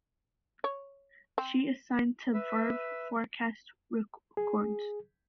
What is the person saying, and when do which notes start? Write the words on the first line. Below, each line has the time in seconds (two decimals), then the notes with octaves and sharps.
She is signed to Verve Forecast Records.
0.64 C#5
1.38 C4
2.34 B4 E5
4.37 G#4